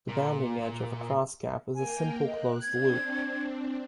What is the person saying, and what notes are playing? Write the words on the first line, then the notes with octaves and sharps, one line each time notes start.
The bounding edge of a cross-cap is a simple closed loop.
A#2
A#3 A#4 G5 G#5
D#5 F#6
C4 D4 G#6